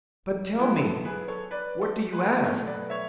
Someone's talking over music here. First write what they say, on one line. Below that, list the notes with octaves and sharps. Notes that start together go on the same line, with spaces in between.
"But, tell me, what do you ask?"
F#3 B3 E4 A4
A4
G#4 B4
A4 C#5
B4 D5
A4
G#4 B4
B2 F#3 A3 A4 C#5
B4 D5
C#5 E5